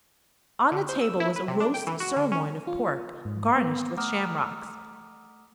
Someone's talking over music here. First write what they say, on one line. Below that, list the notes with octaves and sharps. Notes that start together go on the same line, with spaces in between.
On the table was a roast sirloin of pork, garnished with shamrocks.
D3
C5
E6
E4
B4
C3
D4
G5
E3
F#4
D3
C#4
F4
G#2
B3
A3 F#5 A#5 D6 D#6 F6